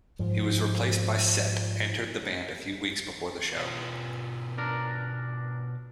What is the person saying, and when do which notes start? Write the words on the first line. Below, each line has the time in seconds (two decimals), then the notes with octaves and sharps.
He was replaced by Set entered the band a few weeks before the show.
0.19 G#2 F3
3.56 B2 F4 C#5
4.58 D4 A#4